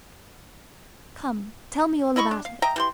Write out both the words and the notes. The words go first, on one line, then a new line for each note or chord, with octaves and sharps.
"Come, tell me all about it."
E4 D#5 B5 C#6
D4
F5
D#5 E5 G5 A#5
E3 G4 C6